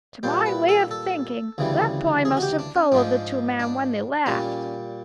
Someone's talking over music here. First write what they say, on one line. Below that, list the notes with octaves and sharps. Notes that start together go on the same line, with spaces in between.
"To my way of thinking, that boy must have followed the two men when they left."
A#2 G3 C5
B4
A4
A4
D2 C#3 E3 G3
G#4
F#4
G4
D4
C#4
G#2 F3 G#3 D4
D4
A#2 G3 C#4